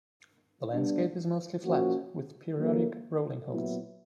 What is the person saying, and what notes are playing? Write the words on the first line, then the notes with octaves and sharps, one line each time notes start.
The landscape is mostly flat, with periodic rolling hills.
G3 B3 D4
F3 A#3 C#4 F#4
D3 F#3 A#3
A#2 F#3 B3 E4